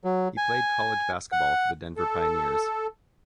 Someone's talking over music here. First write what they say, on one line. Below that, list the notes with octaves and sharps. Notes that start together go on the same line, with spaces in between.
He played college basketball for the Denver Pioneers.
F#3
G#5
F#5
A4